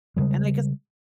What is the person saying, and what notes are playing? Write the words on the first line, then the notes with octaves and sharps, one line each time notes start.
And I guess
C#3 G3 G#3